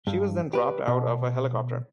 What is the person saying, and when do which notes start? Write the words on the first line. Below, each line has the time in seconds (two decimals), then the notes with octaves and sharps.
She was then dropped out of a helicopter.
0.07 G2
0.53 G4 B4
0.88 B2